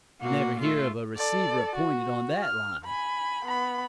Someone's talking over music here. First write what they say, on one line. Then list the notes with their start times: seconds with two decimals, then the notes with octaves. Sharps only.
Never hear of a receiver appointed on that line.
0.21 A#2 A#3 F#4
0.60 A3 F4
1.16 A4 D5
1.76 F#4
2.43 F6
2.85 G#5 B5
3.46 B3 B5